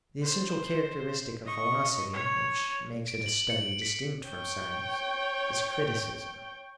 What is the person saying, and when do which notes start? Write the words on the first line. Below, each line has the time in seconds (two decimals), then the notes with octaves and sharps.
The essential characteristic of philosophy, which makes it a study distinct from science, is criticism.
0.23 C5
1.45 D#5 C#6
2.13 C#5
3.08 D7
3.26 F#7
3.50 C#7
3.82 B6
4.26 C#5 G5